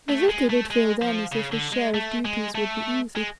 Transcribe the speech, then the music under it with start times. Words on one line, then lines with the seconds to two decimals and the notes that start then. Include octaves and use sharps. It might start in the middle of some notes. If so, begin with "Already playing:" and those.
The Vicar did feel then as if his share of duties would be easy.
0.09 A3
0.29 G#3
0.50 A3
0.70 G#3
1.01 F3
1.32 C#3
1.52 D3
1.72 G#3
1.94 A3
2.25 G#3
2.55 A3
3.16 G#3